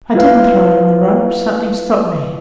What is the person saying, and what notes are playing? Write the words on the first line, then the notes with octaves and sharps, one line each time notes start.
I didn't throw him the rope; something stopped me.
E4 F4 B4 F5